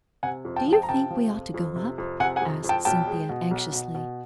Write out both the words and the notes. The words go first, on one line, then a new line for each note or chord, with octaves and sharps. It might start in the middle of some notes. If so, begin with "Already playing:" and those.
"Do you think we ought to go up?" asked Cynthia, anxiously.
C3 F#5 G#5
F2
G5 A5
F3
G5 A5
A#5
C3 G5 A5
F3
F2
F2
C3
F2
C3 F#5 G#5
F#5 G#5
F2
F2
G5 A5
B1 G5 A5
G#3
B2
B1
B2
B2